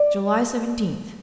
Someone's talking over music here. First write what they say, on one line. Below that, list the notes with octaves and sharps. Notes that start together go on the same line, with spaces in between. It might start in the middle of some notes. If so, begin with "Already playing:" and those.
July Seventeenth.
Already playing: D5